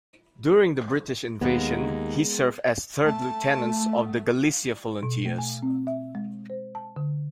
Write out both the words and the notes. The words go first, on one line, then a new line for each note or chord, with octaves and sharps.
During the British Invasions he served as Third Lieutenant of the Galicia Volunteers.
D#2 G#3 B3 A#4
A3 A5
B2
A3
G#5
C4
E5
G#3
C5
A5
D3